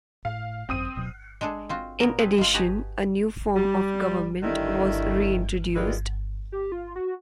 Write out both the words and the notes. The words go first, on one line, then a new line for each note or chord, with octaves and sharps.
In addition, a new form of government was reintroduced.
A2 F5
G#1 F#2 C4 D#6 D#7
D1 B2 F#3
G#3 D4 G#4 A4
C4 F4 F#4
A#2 B3 F#4 A#4
C4 G#4 A4 B4
G#3 F4
F#4 G4 B4 D#5 G#5 A5
G3
D3 D#3 G3 A3 E4
D#3 E3 G3 G#3 F4
G4
F4
F#4